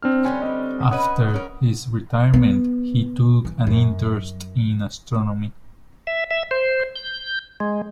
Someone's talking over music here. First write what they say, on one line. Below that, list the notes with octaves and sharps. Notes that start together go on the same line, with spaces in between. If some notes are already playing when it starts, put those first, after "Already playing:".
After his retirement he took an interest in astronomy.
C4 D4 F6
D3 G3 C#4 G5 G#5 C6
C4 D5 D#5
C#4 B4 D#5 F#5 D#6
C#4 A#4
B3
E3
F#2
E5
E5
C5
G6
G#3